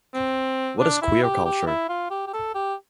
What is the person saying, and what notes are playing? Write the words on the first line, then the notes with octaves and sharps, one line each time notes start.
What is queer culture?
C4
D4
E4
G4
G4
E4
F4
G4
G4
A4
G4